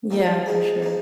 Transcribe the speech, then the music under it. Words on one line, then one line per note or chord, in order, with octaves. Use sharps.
Yeah, for sure.
F3 C4 D#4
F3 G#3 D#4 G#4
F3 G#3 D#4